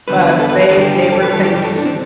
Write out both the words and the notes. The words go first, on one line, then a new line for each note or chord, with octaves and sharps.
But they they were thinking
E2 D3 G3 B4
B4
B4
A4
B4
B4
G2 D3 G3 A4
G4
G4
G4
A4
B4
G2 E3 G3 A4
G4
G4
A4
D4
C4